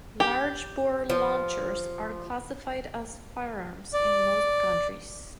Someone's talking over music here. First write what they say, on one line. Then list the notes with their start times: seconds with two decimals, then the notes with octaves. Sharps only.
Large-bore launchers are classified as firearms in most countries.
0.20 G4
1.10 F3
3.93 D5